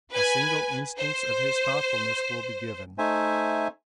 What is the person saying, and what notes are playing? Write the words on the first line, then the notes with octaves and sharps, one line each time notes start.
A single instance of his thoughtfulness will be given.
B4 G#5
C5
A3 D#4 C5 E5 G#5